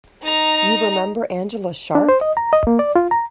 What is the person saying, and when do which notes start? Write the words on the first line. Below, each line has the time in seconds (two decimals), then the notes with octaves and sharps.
You remember Angela's shark?
0.23 D#4 A#5
1.95 D4
2.09 C5
2.21 D#5
2.37 A#5
2.53 D#5
2.67 A#3
2.79 D5
2.96 F4
3.11 A#5